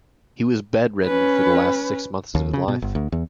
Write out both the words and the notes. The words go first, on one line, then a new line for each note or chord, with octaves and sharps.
He was bed-ridden for the last six months of his life.
C#4 B4
D#2
C#3
B2
G1
D2
E2